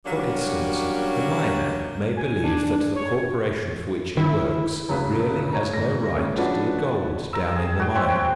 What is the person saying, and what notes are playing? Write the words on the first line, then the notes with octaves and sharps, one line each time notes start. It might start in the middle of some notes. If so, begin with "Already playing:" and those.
For instance, a miner may believe that the corporation for which he works really has no right to the gold down in the mine.
F#2 F#3 G3 A#3 C#4 D4
G#5
D4
C#5
D#3 E4
F#1 D2 C#3 B4
C#5 A#5
G#1 A#6
G#3 A#3 C#4
F3 C#4 D4 F#4 B4
A#5 E6
G#4
F#4 G5
C4 C#4 C5
G5